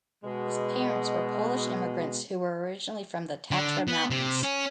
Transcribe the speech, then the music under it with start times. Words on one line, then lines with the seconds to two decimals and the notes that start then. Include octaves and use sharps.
His parents were Polish immigrants who were originally from the Tatra Mountains.
0.24 B2 G#3
3.51 D3
3.88 B3
4.10 C3
4.43 C#4